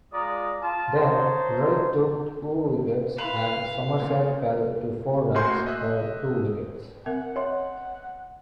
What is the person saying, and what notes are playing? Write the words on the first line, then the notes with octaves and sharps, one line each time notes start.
Then, Wright took two wickets and Somerset fell to four runs for two wickets.
G#3 F4 D5 A#5 D#6
F4 A5
D#4 C5 C#5 A5 A#5 C6
E4 B4 F5 C6 E7
A#2 C#3
A2 A#3 F#4 G#5 C6 G6
D#5 E5 F#6
C4 A#4 E5 F#5
C#5 D#5 E5 C6